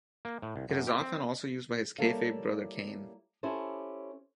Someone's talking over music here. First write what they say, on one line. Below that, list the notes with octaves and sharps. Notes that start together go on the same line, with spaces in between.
It is often also used by his kayfabe brother Kane.
A#3
A2
C2
F#2
G4
C4
G3 A#3 E4 A4 C#5 F5
C#4 E4 G4 A4 C5